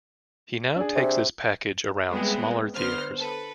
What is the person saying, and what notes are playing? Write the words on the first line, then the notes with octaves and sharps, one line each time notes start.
He now takes this package around smaller theatres.
D4 G#4
C3
G3 G#3 B3 C4 E4 G#4
D3 B3 C5 F6
A4 B4